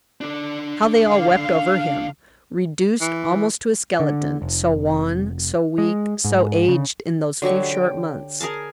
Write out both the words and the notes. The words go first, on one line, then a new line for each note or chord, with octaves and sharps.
How they all wept over him--reduced almost to a skeleton, so wan, so weak, so aged, in those few short months.
D3 D4
F5
E3
D3
F1
G#3
G#2
C#3
D3 F#3 G4 C#6
G5
G#4 A#4 G#5 A5